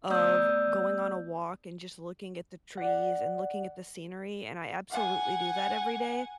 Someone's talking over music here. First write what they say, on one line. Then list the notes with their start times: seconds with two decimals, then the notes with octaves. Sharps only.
of going on a walk and just looking at the trees and looking at the scenery, and I absolutely do that every day.
0.10 A3 B3 D5 D#6 E6 G6
2.77 D5 F#5
4.91 F#5 G#5